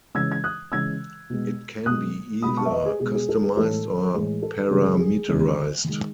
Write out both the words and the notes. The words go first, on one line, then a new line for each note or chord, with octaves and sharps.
It can be either customised or parameterised.
C#3 E3 G#3 E6 G#6
G#6
D#6 F#6
C#3 E3 G#3 E6 G#6
B2 G#3
B2 G#3 D#6 F#6
B2 G#3 B5 D#6
A5 C#6
E5
B4 D#5
G#4
B2 G#3 G#4
G#4
A4
G#4 B4
A2 E3 G#3 A4
A2 E3 G#3 G#4
A4
C#3 E3 G#3 G#4
G#4
C#3 E3 G#3
D#3 G#3